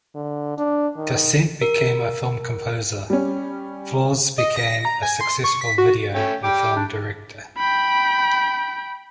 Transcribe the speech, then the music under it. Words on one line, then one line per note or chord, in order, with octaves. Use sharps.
Dasent became a film composer, Flaws became a successful video and film director.
D3
D4
D#3
A#4
G3 C#4
D#5
A#6
A#5
G#5
C6
C#6
B6
F#4
A3 C#4 G5
G3 G5 D6
D4
G5 B5